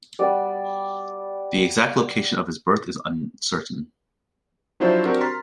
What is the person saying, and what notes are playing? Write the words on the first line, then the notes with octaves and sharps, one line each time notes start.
The exact location of his birth is uncertain.
G3 B3 D5
F3 F#3 D4 E4 F4 C5
C4 D4 F#4 G4 A#4
A#5 C6 F6 A6 B6